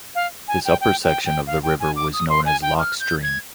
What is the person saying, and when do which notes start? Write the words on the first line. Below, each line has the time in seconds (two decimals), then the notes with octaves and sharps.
This upper section of the river was known as Lock Stream.
0.15 F5
0.48 G#5
0.65 G5
0.81 G5
1.04 G5
1.25 G5
1.47 F5
1.63 G5
1.80 G#5
1.96 D6
2.13 D#6
2.29 C6
2.45 G#5
2.62 G5
2.79 F6
3.00 G6
3.23 G#6